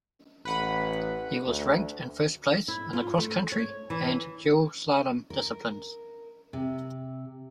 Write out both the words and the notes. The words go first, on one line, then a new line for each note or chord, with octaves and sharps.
He was ranked in first place in the Cross-country and Dual Slalom disciplines.
A1 B4 F#5 B5
D2
E4
F4
A3
C#5
E3
A#4
C3